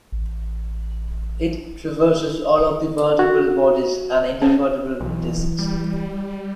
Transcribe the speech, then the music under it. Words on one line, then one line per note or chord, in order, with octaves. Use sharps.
It traverses all of the vertebral bodies and intervertebral discs.
A1
F#4
C#4
B1 E3
G3